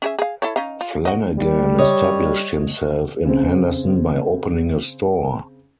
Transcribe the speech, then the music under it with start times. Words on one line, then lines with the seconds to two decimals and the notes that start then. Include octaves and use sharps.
Flanagan established himself in Henderson by opening a store.
0.02 C#4 G#4 E5
0.19 G#4 F5
0.42 E4 A4 C#5
0.56 C#4 D#4 F5
0.81 F4
1.05 F#4 D#5
1.38 G3
1.78 C#5 D#5
3.25 C#3 C4